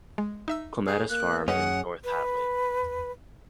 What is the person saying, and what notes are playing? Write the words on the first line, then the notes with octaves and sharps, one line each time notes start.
Clematis Farm in North Hatley.
G#3
D#4 E5 E6
G#4
A#3 F#6
F#2 C#4 G#4 B4 D#5 F#5
B4